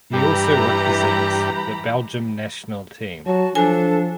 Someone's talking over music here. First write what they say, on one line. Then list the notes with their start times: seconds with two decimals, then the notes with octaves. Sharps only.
He also represents the Belgium national team.
0.13 G2 E3 G4 A#5 B5
3.26 F#3 F#4 A5
3.55 F3 D4 A4 G#5